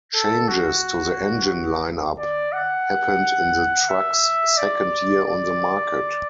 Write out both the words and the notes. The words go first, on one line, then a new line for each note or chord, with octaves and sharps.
Changes to the engine lineup happened in the truck's second year on the market.
A4
F#4
D5
F#5
E5
D5
D5